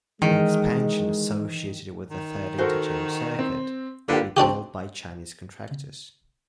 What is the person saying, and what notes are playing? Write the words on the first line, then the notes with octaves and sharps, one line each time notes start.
The expansion associated with the Third Interchange Circuit will be built by Chinese contractors.
D#3 E3 G#3
D#3
F#4 A4 A#4 C5
C4
D3 A#3 F4 G4 B4
C4 D4 F#4 G4